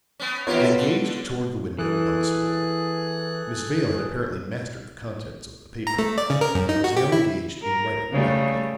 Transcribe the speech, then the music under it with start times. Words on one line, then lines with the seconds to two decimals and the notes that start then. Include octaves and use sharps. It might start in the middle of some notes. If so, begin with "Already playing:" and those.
They gazed toward the window once more, Miss Vale had apparently mastered the contents of the paper, and was now engaged in writing rapidly.
0.20 B3 C#4
0.47 D#3 B3 F4 G4 A#4 C#5
0.64 A4
0.78 D3
1.07 D3
1.79 E3 G#4 A4 F#6
5.87 A#5
5.99 A3
6.18 D5
6.30 C#3
6.41 A#4
6.55 F#2
6.69 D#4
6.84 F#4
6.96 G4
7.12 E4
7.63 A#4
8.12 C#3 G3 A3